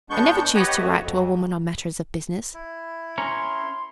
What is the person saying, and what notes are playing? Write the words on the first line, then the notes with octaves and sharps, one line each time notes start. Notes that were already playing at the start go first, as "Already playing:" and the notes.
I never choose to write to a woman on matters of business.
E2 G#3 B3 D4 C#6 G6
G4 B4 C#5 D#5 F#5
A3 F#4
F2
E4
C#4 A#4 C#5 C6